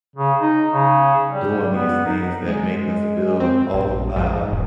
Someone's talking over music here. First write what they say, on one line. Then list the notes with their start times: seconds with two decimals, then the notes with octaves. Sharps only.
doing these things that make us feel old uh,
0.16 C#3
0.41 D#4
0.72 C#3
1.31 G3
1.71 B3
2.06 D#4
2.48 G#3
3.40 C4
3.74 A#1
4.16 G#2
4.52 E1